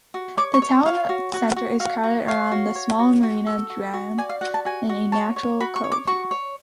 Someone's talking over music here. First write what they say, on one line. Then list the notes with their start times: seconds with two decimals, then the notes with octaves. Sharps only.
The town center is crowded around the small marina drawn in a natural cove.
0.14 F#4
0.37 C#5 D6
0.54 C#6
0.62 C#5
0.85 C#5 F5
1.09 F#4
1.33 F#4
1.56 F#4
1.80 F#4 F5
2.03 F#4
2.28 C#5 F5
2.52 F#4
2.75 C#5
2.99 F#4
3.23 F#4
3.47 A4
3.70 F#4
3.94 F#4
4.18 D5 G#5
4.29 F5
4.41 F#4 F#5
4.54 A5
4.65 F#4 G#5
4.89 F#4
5.12 C#5 A5
5.36 C#5
5.60 F#4 B5
5.76 C#6
5.84 C#5
5.92 D6
6.07 F#4 C#6
6.31 C#5